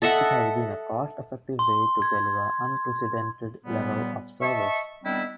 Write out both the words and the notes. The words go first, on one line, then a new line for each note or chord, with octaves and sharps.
It has been a cost-effective way to deliver unprecedented level of service.
A4 D#5 E5 F#5
C6
G#6
D#2 A#2 G3 B3
D#5 E5 A5 C#6
D#3 G3 B3 C4 D4 E4